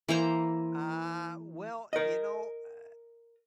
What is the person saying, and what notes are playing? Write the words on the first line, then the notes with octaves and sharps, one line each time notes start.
Uh, well, you know, eh
E3 A#3 C5 A#5
A#4 D#5